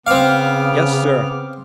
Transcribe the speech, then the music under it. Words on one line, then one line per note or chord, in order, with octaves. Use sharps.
"Yes, sir."
C#3 B3 C4 F5 D6 F6